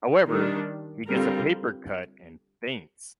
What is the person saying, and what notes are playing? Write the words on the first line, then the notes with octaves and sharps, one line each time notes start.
However, he gets a paper cut and faints.
D#3 G3 D4
D3 G3 C4 F4 A#4